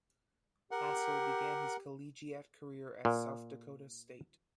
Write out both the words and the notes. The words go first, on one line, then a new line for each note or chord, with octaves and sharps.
Hassell began his collegiate career at South Dakota State.
G4 A#4 F#5
A#2